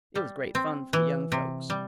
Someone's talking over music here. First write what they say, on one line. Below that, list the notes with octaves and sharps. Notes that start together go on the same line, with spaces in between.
It was great fun for the young folks.
G3
C4
E3
C3
G3